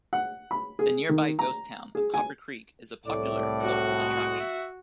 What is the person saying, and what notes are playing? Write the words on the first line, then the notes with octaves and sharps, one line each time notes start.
The nearby ghost town of Copper Creek is a popular local attraction.
F#5
B5
G#4
D#3
A#5
G#4
G#5
C2 A2 D5
F#4
G#3
E5